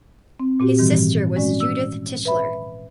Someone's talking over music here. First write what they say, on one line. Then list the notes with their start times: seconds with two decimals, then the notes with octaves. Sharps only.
His sister was Judith Tischler.
0.40 C4
0.60 A#2 C4 F#4 G4
0.79 G#2 D#3 E3 G3
1.36 G#3 C#4 F#4 D5
1.60 E6
2.25 B4 E5 B5